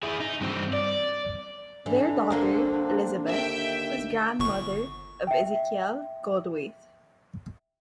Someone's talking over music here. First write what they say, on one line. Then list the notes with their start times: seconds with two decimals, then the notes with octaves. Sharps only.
Their daughter, Elizabeth, was grandmother of Ezekiel Goldthwait.
0.03 E4 G#4
0.20 D#4
0.41 G2 C4
0.73 D5
1.86 D3 E3 D4
2.30 D3 A#3 C4 A#4
3.27 D#2 E5 G5
4.40 G1 C#6
5.27 E5 G5